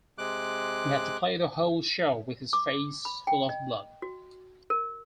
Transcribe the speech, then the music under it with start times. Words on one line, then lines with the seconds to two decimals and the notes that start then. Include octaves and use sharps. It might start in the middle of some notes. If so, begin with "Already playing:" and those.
He had to play the whole show with his face full of blood.
0.18 C3 G#3 D6 F#6
2.53 D6
3.05 B5
3.27 G5
3.49 D#5
4.02 F#4
4.70 A#4